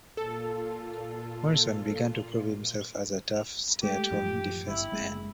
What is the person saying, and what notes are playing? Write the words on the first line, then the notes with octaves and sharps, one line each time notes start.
Morrisonn began to prove himself as a tough, stay-at-home defenceman.
A#2 F4 A4
G#3 A3 G4
A1 F#2 F3
G1 E4
F#1 G#3